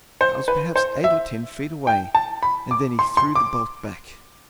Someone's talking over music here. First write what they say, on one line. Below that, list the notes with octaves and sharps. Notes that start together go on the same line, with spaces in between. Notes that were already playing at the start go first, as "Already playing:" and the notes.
I was perhaps eight or ten feet away--and then he threw the bolt back.
C5
B4
C5
E5
G5
A5
B5
D6
C6
C6
D6